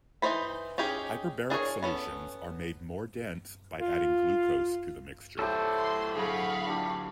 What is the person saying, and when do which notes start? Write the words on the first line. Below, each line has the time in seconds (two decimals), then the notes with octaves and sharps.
Hyperbaric solutions are made more dense by adding glucose to the mixture.
0.22 E3 F3 D#4 C5 B5
0.78 C#4 D#4 G4 G#4
1.50 D4 G#4 A#4 C#5
1.83 B3 C#4 A4
3.79 F4
5.39 G3 E4 G4 A4 C5 C#5
5.77 C6
6.15 D3 F#3 G#4 F5 F#5 B5 C#6
6.66 D4 F4 G4